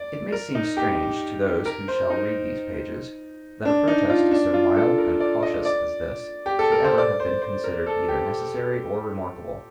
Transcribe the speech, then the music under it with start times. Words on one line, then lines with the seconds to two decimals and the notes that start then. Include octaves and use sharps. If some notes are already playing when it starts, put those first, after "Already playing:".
It may seem strange to those who shall read these pages that a protest so mild and cautious as this should ever have been considered either necessary or remarkable.
Already playing: D5
0.32 A#4
0.55 D#4
0.77 G4
1.65 A#4
1.88 C5
2.10 D#4
3.65 D4
3.88 D#4
4.09 F4
4.31 D4
4.54 F4
4.76 A4
4.98 A#4
5.20 D5
5.43 D#5
5.65 D5
6.46 G4
6.59 A4
6.72 A#4
6.84 C5
6.98 D5
7.20 C5
7.42 C5
7.64 A#4
7.86 A4
8.08 G4